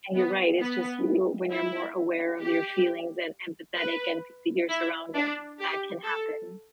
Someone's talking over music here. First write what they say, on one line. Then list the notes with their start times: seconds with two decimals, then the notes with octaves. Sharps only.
and you're right, it's just you when you're more aware of your feelings and empathetic and p your surroundings, that can happen,
0.15 B3
0.60 B3
1.51 E4
2.41 G4
3.78 B4
4.69 E4
5.15 D4
5.60 G4
6.05 A4